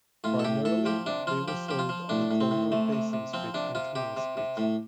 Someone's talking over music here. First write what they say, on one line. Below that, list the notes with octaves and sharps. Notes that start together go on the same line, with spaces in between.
Primarily they were sold on the corner of Basin Street and Canal Street.
A2 F4
A4
A2 G4
A2 A4
F3 G4
C3 D4
F3 F4
F3 G4
F3 G4
F4
F3
A2 D4
A2
C4
A2
C3 A3
C3
C3
F3 C4
C3 D4
C3 F4
C3 G4
C3
C3
A2